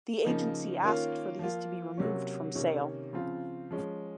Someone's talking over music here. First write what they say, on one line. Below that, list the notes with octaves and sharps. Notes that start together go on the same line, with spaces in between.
The Agency asked for these to be removed from sale.
C#3 F3 A#3 D#4
D#3 A#3 C#4 F4
F3 A#3 F4
C3 F#3 A#3 C#4
C3 D#3 A#3 C#4
C#3 F3 C4 F4
F3 G#3 C#4